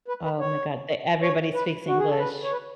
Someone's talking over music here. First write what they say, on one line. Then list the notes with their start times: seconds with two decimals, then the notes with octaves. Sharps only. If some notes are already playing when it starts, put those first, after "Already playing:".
Oh my god. Th everybody speaks English.
0.08 B4
0.24 B4
0.40 C#5
1.22 C#5
1.54 B4
1.88 F#4
1.99 G#4
2.09 A4
2.19 B4
2.44 C#5
2.52 B4